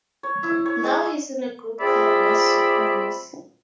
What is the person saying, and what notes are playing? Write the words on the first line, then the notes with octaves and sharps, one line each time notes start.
Now he's in a group called Los Super Reyes.
C#5
E4
C#5
G#3
C4 F4 G#4 D5 E5 B5